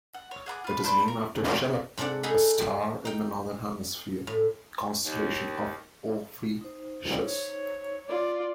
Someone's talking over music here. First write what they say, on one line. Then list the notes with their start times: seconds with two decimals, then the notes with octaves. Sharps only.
It is named after Cheleb, a star in the northern hemisphere constellation of Ophiuchus.
0.14 F#5
0.31 C#5
0.46 G#4 F#5 A#5 D6
0.64 F4 B4
0.84 D4 E4 B4 C5
1.08 A#4
1.97 G#2 C3 D4 D5 F#5
2.23 D#4 G#4 A4 D#5 F#5 B5
3.05 D#4 G5
4.27 A2
5.04 D#2
6.61 D#4 C5
7.22 C#5
8.09 F4 D5